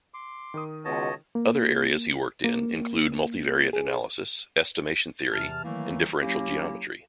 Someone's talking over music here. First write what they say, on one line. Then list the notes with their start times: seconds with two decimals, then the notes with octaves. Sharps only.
Other areas he worked in include multivariate analysis, estimation theory, and differential geometry.
0.14 C6 D6
0.54 D#3 A#4 D#6
0.85 C#2 B2 C#5 D#5 A5
1.35 A#3
2.44 A#3
3.73 G#4
5.32 E2 C3 E3 A5 F6
5.64 D#3 E3 F#3 A3 A#3 E4
6.21 F#3 A#3 C#4 E4 G4